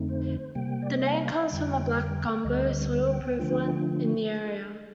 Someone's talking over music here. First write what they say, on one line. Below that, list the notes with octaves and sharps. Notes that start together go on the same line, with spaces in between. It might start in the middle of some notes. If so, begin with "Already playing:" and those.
The name comes from the "black gumbo" soil prevalent in the area.
Already playing: F2 D3 A3 C4 D#4
C5
C3 G3 A#3 G5
D5
D#5
F5
F2 D3 G3 G5
G5
D2 D3 G3 D#5
G5
D3 F3 A3 D4 F4 G5